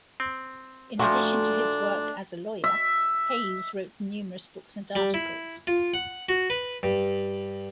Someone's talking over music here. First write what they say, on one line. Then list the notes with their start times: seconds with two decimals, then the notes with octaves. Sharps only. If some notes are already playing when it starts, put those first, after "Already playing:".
In addition to his work as a lawyer, Hays wrote numerous books and articles.
0.20 C4
1.00 A#2 F3 A3 D4 F#4
2.64 E5
4.96 G3
5.14 E4
5.67 F4
5.94 F#5
6.29 F#4
6.50 B4
6.83 G2